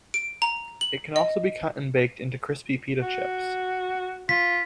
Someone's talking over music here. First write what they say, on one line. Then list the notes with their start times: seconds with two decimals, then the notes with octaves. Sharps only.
It can also be cut and baked into crispy pita chips.
0.14 D7
0.42 A#5
0.81 F#7
1.16 D#5
3.02 F#4
4.29 F4 B6